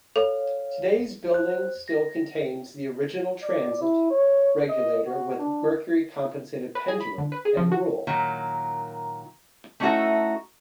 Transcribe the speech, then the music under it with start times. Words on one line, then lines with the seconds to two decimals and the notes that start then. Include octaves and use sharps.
Today's building still contains the original transit, regulator with mercury-compensated pendulum, and rule.
0.16 A4 C#5 F5
1.31 C5 F#6
1.88 A#6
3.42 D5
3.81 E4
4.10 C#5
4.69 D#5
5.06 F#4
5.39 D4
6.75 B4
6.88 G#4
7.00 B5
7.18 D3
7.32 B4
7.45 G#4
7.57 F3
7.72 F#4
8.07 A#2 D#3 F#3
9.80 A3 C#4 D#4 E4 F#4 A4